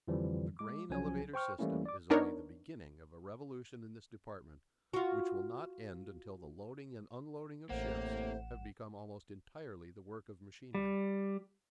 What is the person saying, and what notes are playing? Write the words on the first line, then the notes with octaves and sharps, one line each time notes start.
The grain-elevator system is only the beginning of a revolution in this department which will not end until the loading and unloading of ships have become almost entirely the work of machinery.
F2 D3 E3 F3 G3
G#3 D6
C2 F3 F#3 C#4 G#5
C5 G5 C#6 F6
E3 G3 A3 A#3 C#4 E4
D5 D6
B3 D4 D#4 A#4 C#5
F4 F#4
A1 A2 C3 A#3 C5 F#5 E7
G3